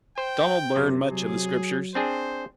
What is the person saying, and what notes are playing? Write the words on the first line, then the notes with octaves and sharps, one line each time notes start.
Donald learned much of the Scriptures.
C5 G5
F#2 C3
F#3 G#4
C4 D4 G#4 C5